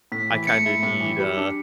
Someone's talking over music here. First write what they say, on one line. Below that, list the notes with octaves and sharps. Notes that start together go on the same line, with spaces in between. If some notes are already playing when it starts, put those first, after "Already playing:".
I kinda need, uh,
A2 B6
E3
A3 C#7
E4
A2
E3
G3
D4